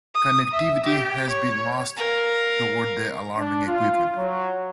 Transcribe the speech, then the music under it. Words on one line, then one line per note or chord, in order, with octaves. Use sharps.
Connectivity has been lost toward the alarming equipment.
D#6
E5
G4
C#5
A#4 F5
D4
F4
F#3